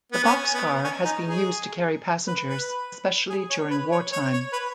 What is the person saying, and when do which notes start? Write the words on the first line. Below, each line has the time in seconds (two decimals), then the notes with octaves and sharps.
The boxcar has been used to carry passengers, especially during wartime.
0.12 B3
0.24 C#4
0.54 B3
0.84 C#4
1.05 D#4
1.25 G#4
2.27 B4
2.48 B4
3.30 G#4
3.50 C#5
3.70 B4
3.91 C#5
4.12 C#5
4.33 C#5
4.53 B4